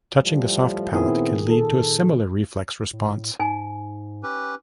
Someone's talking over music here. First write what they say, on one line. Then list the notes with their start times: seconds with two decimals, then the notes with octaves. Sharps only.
Touching the soft palate can lead to a similar reflex response.
0.24 A2 F3 G3
0.92 A#2 D#3 B3 C4 E4 G#4
1.48 A4
2.93 A2
3.39 G#2 D#4 G#5
4.23 C#4 G4 B4